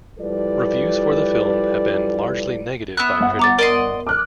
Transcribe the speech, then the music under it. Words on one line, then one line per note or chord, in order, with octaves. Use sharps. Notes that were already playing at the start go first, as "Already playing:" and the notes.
Reviews for the film have been largely negative by critics.
F3 G3 E4 A4 B4 D5
B3 E5 F#6
G1 F#5
A#5 D6 A6
A#4 D5 D#5 C6
D6 F6 F#6